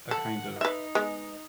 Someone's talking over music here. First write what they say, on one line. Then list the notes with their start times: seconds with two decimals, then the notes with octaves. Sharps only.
a kind of
0.11 A4 F#5
0.61 D#4 B4 E5
0.95 G#3 B3